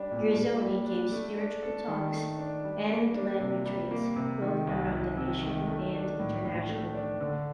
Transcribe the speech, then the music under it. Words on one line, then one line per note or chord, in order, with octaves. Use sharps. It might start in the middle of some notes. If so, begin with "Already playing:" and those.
Girzone gave spiritual talks and led retreats, both around the nation and internationally.
Already playing: G3 D4
A#2
A#2
G3
D4
A3
D4
A4
D#3
A3
D4
G3
A#3
D4
C3
G3
A#3
C3
D#3
C2
C2
C3
D#3
A3
D4
A2
A2
A3
D4
D3